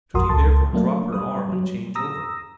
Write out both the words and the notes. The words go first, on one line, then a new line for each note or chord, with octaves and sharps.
Should he therefore drop her arm and change over?
A#1 F2 F#4 A#4 C6 D#6
C#2 A4 A5 C6
F#3 A3 A#3 D4
G3 B4 D#6
F#3 G3
A#5 D#6 E6 A#6